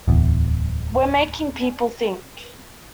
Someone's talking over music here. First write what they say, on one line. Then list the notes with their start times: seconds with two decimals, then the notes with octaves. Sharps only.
We're making people think.
0.08 D1 E2